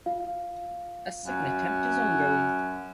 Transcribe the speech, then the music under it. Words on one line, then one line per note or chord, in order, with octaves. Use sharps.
A second attempt is ongoing.
F4 F5
F#2